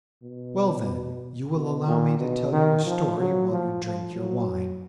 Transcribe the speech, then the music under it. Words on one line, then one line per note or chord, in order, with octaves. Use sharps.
Well, then, you will allow me to tell you a story while you drink your wine.
B2
B2
A#2
B2
D#3
F3
F#3
F3
F3
F#3